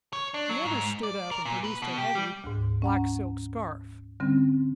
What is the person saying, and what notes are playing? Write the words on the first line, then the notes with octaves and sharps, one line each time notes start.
The other stood up, and produced a heavy black silk scarf.
C#5
D4
F#3
G#2
D5
A#4
A#2
B4
B2
G4
G3
D2 G#2
C#4 F#5 A#5
D3 G3 C4 C#4